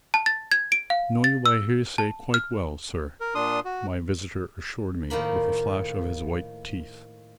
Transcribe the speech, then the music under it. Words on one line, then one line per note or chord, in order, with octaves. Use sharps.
"Know you by hearsay quite well, sir," my visitor assured me, with a flash of his white teeth.
A5
A6
G#6
D7
F5
A6
E6
A5
F6
A#4
A#2 D4 C6 D#6
F#4
A2 D#3 F3 A#3 B5